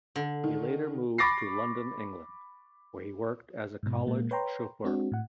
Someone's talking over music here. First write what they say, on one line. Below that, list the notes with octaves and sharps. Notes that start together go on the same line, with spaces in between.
He later moved to London, England, where he worked as a college chauffeur.
D3
D#3
B5 C#6 D6 A6 A#6 C7
G#2 B2
A#2 G#3 A#3
B4 C#5 G5 A#5 C6
G#3 C4 D4 F#4
A2 F#5